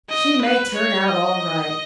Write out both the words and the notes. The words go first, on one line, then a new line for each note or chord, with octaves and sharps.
She may turn out all right.
D#5
B4
C#5
D#5